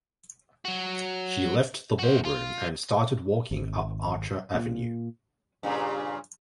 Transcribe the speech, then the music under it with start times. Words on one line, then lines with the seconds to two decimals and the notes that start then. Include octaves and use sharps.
She left the ballroom and started walking up Archer Avenue.
0.65 F#3 F#4
1.99 F#4 C5
2.25 F4
3.51 G#1
4.54 A#2
5.63 G2 A#2 C#3